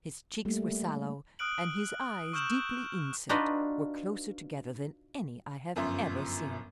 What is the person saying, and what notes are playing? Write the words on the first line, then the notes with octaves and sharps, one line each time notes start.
His cheeks were sallow; and his eyes, deeply inset, were closer together than any I have ever seen.
G3 A3 A#3
D#6 F6 F#6 D7 F#7
C#6 E6 F6 G6 E7 F#7
D4 D#4 F4 F#4 B4 D#5
G1 F#2 F3 E5 C6